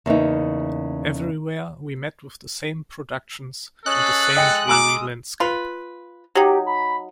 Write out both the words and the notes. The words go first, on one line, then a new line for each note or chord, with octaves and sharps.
Everywhere we met with the same productions, and the same dreary landscape.
E2 C#3 A#3 D#4
C#4 G#4 A4 D#5 F#6
G#3 D#5 G5 D#6 C#7
G#5 A#5 D6 E6
F4 B4
F#3 D#4 G4
B5